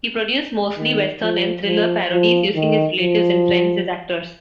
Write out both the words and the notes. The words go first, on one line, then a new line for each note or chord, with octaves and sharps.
He produced mostly western and thriller parodies, using his relatives and friends as actors.
D#3
F3
F3
F3
D#3
F3